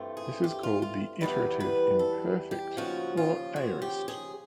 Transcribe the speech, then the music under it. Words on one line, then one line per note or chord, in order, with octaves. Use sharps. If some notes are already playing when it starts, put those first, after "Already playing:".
This is called the "iterative imperfect or aorist".
Already playing: G2 E3 A3 C4 F4
G#4
G4
F4
F4
E2 C3 E3 G3 B4
B4
A4
G4
D#2 C#3 F3 F#4
F4
F#4
G4
G#4